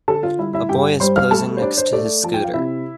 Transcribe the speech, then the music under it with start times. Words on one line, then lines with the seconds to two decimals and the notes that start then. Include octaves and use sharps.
A boy is posing next to his scooter.
0.08 D3 A4 A5
0.23 F4 F5
0.39 G3 E4 E5
0.53 E4 E5
0.69 G2 G4 G5
1.00 G3 C5 C6
1.16 F5 F6
1.31 A3 A4 A5
1.57 C5
1.62 D4 D5
1.78 C5
1.93 A3 D5
2.23 F3 A5
2.34 G5
2.44 F5
2.54 C3 E4 E5